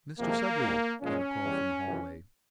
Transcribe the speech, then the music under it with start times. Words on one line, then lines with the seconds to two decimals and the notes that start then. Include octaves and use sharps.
"Mr. Sudley!" came a call from the hallway.
0.20 F2 C3 F3 G#3 A#3
0.60 G#2 G3
1.02 A#2 F3 G#3 C#4
1.43 E2 E3 G3
1.85 F2 C3 E3